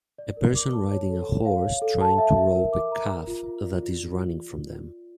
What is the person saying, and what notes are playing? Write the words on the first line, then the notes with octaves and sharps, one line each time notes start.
A person riding a horse trying to rope a calf that is running from them.
D5
A#4
D6
A5
C#5
A4
A4
F5
C#5
A4
A5
E5
E5
A#4
D6
A#5
A#4
F4
F4
D5
F4